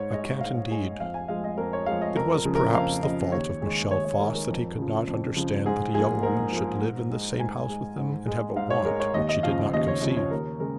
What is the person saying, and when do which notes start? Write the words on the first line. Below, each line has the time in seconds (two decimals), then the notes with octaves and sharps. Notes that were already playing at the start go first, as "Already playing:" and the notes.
I can't indeed.' It was perhaps the fault of Michel Voss that he could not understand that a young woman should live in the same house with him, and have a want which he did not conceive.
Already playing: G#2 C#5
0.12 G#3 D#5
0.41 G#2 F5
0.70 G#3 G#5
1.00 F2 F5
1.14 G#5
1.28 F3 G#3 F5
1.44 D#5
1.57 F2 A#4
1.73 C#5
1.86 F3 G#3 F5
2.01 D#5
2.16 F2 A#4
2.35 A#4
2.45 C#3 F3
2.55 A#4
2.74 F2 F5
3.03 C#3 D#5
3.08 F3
3.32 D#2 C#5
3.61 D#3 G#3 G#4
3.91 D#2 C#5
4.05 C#5
4.20 D#3 G#3 A#4
4.35 A#4
4.49 F2
4.77 C#3 F3
5.07 F2
5.36 C#3 F3
5.66 G#2 G#4
5.94 F3 A#3 G#4
6.23 G#2 A#4
6.52 F3 A#3
6.82 G#2
7.11 G#3
7.39 G#2 G#5
7.69 G#3
7.98 G#2
8.27 G#3
8.56 G#2 F5
8.70 C#5
8.85 G#3 A#4
9.00 C#5
9.14 D#2 D#5
9.29 D#5
9.43 C#3 F3 F5
9.59 D#5
9.73 D#2 D#5
9.88 C#5
10.02 C#3 F3 D#5
10.17 C#5
10.31 D#2 A#4
10.60 C#3 G#3 A#4